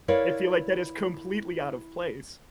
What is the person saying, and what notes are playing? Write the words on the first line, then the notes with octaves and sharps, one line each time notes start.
I feel like that is completely out of place.
E4 A#4 B4 C#5 D5 F5